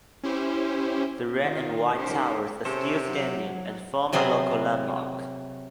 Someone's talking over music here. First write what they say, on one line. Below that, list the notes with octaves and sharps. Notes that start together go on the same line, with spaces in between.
The red-and-white towers are still standing and form a local landmark.
C#4 E4 G4 C5
D#3 F4
C#4 D#4 G4 A#4 C5
C3 C#4 A4 C5
F#3
C3 F#3 B3 G#4 C5